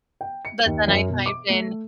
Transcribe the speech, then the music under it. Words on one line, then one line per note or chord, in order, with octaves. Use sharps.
But then I typed in
G5
C#7
D#2
F#2
B2
D6
A3